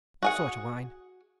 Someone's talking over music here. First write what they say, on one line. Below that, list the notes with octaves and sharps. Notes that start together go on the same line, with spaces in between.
"What sort of wine?"
F#4 G#4 F#5